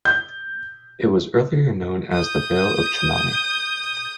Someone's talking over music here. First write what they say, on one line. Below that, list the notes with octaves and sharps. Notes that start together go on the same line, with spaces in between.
It was earlier known as the Vale of Chamouni.
G6
D#6 G6